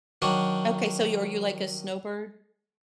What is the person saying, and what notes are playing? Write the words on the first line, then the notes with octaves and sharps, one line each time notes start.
Okay, so you're are you like a snowbird
D#3 F#3 D4 F#4 D5